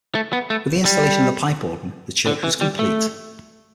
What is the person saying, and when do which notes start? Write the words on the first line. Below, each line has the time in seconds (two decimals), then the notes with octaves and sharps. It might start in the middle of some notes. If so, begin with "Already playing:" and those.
With the installation of a pipe organ, the church was complete.
0.15 A3
0.33 B3
0.50 A3
0.85 G3
2.27 D3
2.44 E3
2.61 G3
2.79 A3